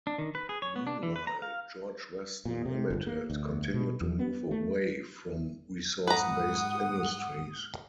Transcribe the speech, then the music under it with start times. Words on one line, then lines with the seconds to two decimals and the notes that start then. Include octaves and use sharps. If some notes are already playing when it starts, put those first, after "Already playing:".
Meanwhile, George Weston Limited continued to move away from resource-based industries.
0.07 D4
0.18 D#3
0.35 B4
0.49 G#4
0.62 C#5
0.76 B3
0.87 D4
1.03 E3
1.16 B4
1.27 A#5
1.42 F5
2.45 A#2
2.66 C3
2.90 G1
3.07 A#3
3.30 D2
3.74 B2
4.01 E2
4.19 B3
4.51 A3
6.07 G#2 B4 F#5 A#5 D#6